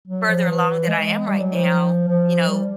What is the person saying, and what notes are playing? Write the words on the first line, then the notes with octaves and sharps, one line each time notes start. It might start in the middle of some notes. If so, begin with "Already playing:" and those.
further along than I am right now, you know,
F#3
F3
E3
G#3
G3
F#3
F3
F3
G3